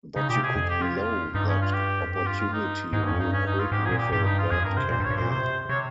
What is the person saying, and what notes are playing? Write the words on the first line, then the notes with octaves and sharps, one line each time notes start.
But you could blow that opportunity real quick with a bad campaign.
C#3 D#4
A#2 G4
C3
G#4
F2 G#4
G4
F4
F4
G2 D#4
C#4
F4
G4
F2
G2 G4
F4
F4
D#4
G#2 D#4
G2
C#4
F2
G2 D#4
C#4
D#4
F4
G#2 G4
G#4
A#2
G4
G2 G4
D#4
F4
F2 G#4
G2 A#4
C3 C5
A#2 C5
G2
C#5
G2
A#2 C5
C3 C5
C3 C#5